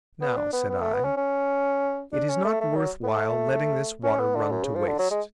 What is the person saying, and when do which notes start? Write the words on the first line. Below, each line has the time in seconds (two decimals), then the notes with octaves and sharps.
"Now," said I, "it is not worth while letting this water run to waste."
0.21 B3
0.37 D4
0.53 B3
0.70 B3
0.81 A3
0.93 B3
1.05 C#4
1.17 C#4
2.13 D4
2.29 C#4
2.44 A3
2.60 A3
2.76 F#3
3.03 B3
3.08 A3
4.04 C#4
4.20 B3
4.35 D3
4.51 F#2
4.64 C#3
4.75 F3
4.88 D3
4.99 F#3
5.11 G#3